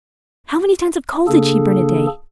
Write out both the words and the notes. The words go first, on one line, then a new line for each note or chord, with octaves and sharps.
How many tons of coal did she burn a day?
C#3 A#3 D4 G#4 A4